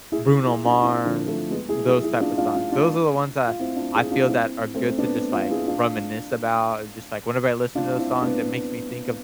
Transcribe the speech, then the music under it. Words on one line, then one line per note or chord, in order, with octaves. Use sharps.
Bruno Mars, those type of songs. Those are the ones that I feel that are good to just, like, reminisce about, and just, like, whenever I listen to those songs, it makes me think of
E4 G#4
E4 G#4
D4 F4
C4 E4
D3 F3
F3 A3
G#3 B3
E4 G#4
E4 G#4
E4 G#4
D4 F4
D4 F4
D4 F4
D4 F4
F4
C4 E4
D4 F4
E4 G#4
D4 F4
D4
C4 E4
A3 C4
C4
B3 D4
D4 F4
E4 G#4
D4 F4
D4 F4
C4 E4
C4
B3 D4